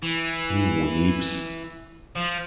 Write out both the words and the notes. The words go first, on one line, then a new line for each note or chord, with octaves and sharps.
He weeps.
E3
F3